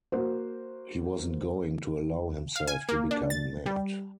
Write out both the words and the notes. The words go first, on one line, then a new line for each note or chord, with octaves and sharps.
He wasn't going to allow himself to become mad.
A#3 F#4 C5
F5
G#5
A#3
D4
A6
G3